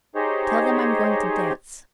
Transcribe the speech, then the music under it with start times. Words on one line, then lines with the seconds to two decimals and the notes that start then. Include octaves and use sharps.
Tell them I'm going to dance.
0.15 D#4 G4 G#4 C5 C#5 D#5